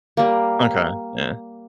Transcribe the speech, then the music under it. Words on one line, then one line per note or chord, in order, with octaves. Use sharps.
Okay. Yeah.
G3 A#3